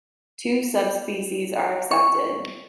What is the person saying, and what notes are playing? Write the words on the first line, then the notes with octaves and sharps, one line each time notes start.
Two subspecies are accepted.
C#6